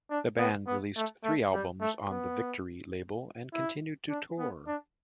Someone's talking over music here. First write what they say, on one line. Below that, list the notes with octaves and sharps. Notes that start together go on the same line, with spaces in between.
The band released three albums on the Victory label and continued to tour.
D4
B3
B3
A3
A3
G3
A3
B3
E4
D4
B3
D4